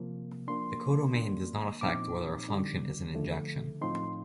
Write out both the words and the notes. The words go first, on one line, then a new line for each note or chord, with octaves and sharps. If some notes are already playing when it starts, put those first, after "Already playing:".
The codomain does not affect whether a function is an injection.
Already playing: C3 F3 A#3
F3 A#3 D4 C6
D#3 A#3 D4
A#2 F3 C4 D#4 D6
D3 G3 D4
D3 F3 A3
A2 F3 C4 D#4 C6